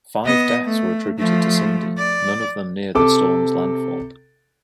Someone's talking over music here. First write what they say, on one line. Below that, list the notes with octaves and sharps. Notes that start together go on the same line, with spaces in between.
Five deaths were attributed to Cindy, none of them near the storm's landfall.
B3 D#5
A3
F3 A3
D5
C3 A4 D6